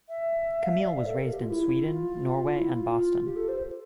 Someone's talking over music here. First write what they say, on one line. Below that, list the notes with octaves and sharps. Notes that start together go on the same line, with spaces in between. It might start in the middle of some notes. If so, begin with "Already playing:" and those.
Camille was raised in Sweden, Norway and Boston.
E5
F5
E5
D5
F5
E5
A4
A#4
A4
G4
F4
E4
F4
E4
F4
G4
A4
C5